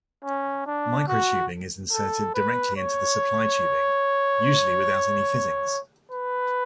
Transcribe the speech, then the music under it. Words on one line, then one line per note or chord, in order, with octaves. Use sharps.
Microtubing is inserted directly into the supply tubing, usually without any fittings.
C#4
D4
F#4
A4
B4
C#5
B4